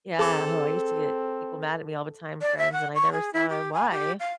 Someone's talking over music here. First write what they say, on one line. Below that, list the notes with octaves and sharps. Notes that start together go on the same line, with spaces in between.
Yeah, oh, I used to get people mad at me all the time, friends, and I never saw why
C4 G#4 A4 D6
D5
E5
F#5
C#6
G#4
E4
G4
G#5
G4
F5